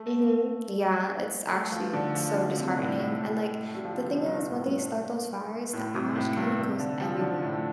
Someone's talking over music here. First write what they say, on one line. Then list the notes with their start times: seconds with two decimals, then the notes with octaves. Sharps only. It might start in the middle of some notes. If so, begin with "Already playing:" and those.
Mhm. Yeah. It's actually so disheartening, and, like, the thing is when they start those fires, the ash, kind of, goes everywhere,
Already playing: A3
1.52 A3
1.72 F3
1.93 D3
2.15 F3
2.36 D3
2.57 C3
2.78 A2
2.99 A2
3.21 A2
3.65 A3
3.75 G3
3.85 F3
3.95 D3
4.05 C3
4.26 G2
4.46 A2
4.67 G2
5.73 A2
5.94 C3
6.16 A2
6.37 G2
6.58 C3
6.79 D3
7.01 F3
7.21 D3
7.42 A2